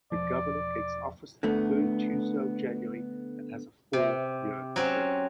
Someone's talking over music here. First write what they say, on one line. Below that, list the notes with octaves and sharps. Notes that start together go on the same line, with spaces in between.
The Governor takes office the third Tuesday of January and has a four-year term.
E1 F3 D5
D3 A3 B3
C3
F#3 C4 C#4